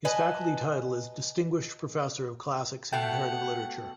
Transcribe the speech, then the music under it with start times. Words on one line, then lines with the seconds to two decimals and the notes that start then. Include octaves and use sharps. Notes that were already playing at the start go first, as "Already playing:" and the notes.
His faculty title is "Distinguished Professor of Classics and Comparative Literature".
0.05 B4 D#5 G#5 A5
2.93 B2 A3 F#5 G5